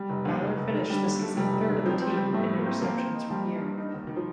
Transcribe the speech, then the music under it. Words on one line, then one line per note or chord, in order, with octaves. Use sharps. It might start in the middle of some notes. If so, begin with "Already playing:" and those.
Fowler finished the season third on the team in interceptions for the year.
Already playing: G3
F1
D#2
F1
F1
D#3
D3 G3
D#2
A3
F1 G3
F1
D#2
F3 C4
C4
G3
C4
A2 A3
A2
A#3
C4
F3 A#3
C4
D#4
F3 G3
D#4
G2
D#4
D#2
D#3
F3